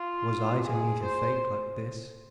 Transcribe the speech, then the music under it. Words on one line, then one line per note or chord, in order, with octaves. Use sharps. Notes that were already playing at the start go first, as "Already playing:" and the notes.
Was I to meet a fate like this?
Already playing: F4
G#4
C5